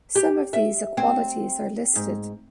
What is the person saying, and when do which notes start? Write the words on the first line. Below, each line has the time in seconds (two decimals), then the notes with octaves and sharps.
Some of these equalities are listed.
0.15 G4
0.53 E5
0.97 C4
1.96 G#2